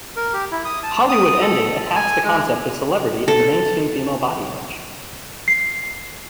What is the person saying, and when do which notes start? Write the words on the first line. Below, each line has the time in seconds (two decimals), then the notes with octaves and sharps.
"Hollywood Ending" attacks the concept of celebrity and the mainstream female body image.
0.16 A#4
0.33 G4
0.51 E4
0.65 D#6
0.83 A5
1.09 D#6
1.41 A4
1.95 G#5
2.24 G#3
3.28 A4
5.48 C7